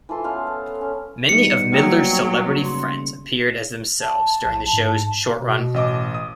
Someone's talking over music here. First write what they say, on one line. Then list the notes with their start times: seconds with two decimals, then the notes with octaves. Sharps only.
Many of Midler's celebrity friends appeared as themselves during the show's short run.
0.09 E3 F3 A4 C6
0.24 B3 C#4 C5 F5
0.47 A4
0.81 C#4
1.29 G3 B3 D#4 C#7
1.72 F#3 A#3 G5
2.64 C#3 C6
4.01 A5
4.45 A#1
4.73 G#2
5.34 B2
5.74 A1 D#5 D6
6.14 D#6